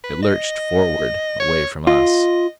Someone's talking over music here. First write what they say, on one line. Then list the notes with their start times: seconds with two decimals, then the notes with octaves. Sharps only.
It lurched forward--away from us.
0.04 B4
0.23 D#5
1.40 C#5
1.87 F4 D#5